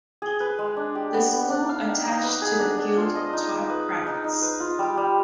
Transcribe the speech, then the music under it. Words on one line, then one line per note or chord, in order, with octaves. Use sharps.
The School attached to the Guild taught crafts.
G#4
B4
G#3
D4
G4
B3
B3
D4
F5
D#4
D#4
B4
G#4
D4
D4
F4
D#5
D#4
D#4
B4
F5
D#4
D#4
B4
F4
G3
G3